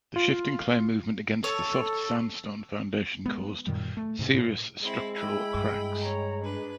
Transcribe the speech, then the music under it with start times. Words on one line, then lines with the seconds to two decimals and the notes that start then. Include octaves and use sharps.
The shifting clay movement against the soft sandstone foundation caused serious structural cracks.
0.16 F4
1.44 A4 C#5
3.26 G#3 B3
3.67 F#2 A#2 D#3 G3
3.97 A3
4.19 G#2 C3
4.34 A2
4.82 G#3 C4 E4
5.15 E4 G5 B5
5.54 G2
6.02 C#5 A#5
6.43 D4 G#4 B4